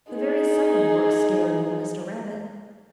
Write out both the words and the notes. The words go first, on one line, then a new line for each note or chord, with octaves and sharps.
The very sight of work scared old Mr. Rabbit.
D#4 G#4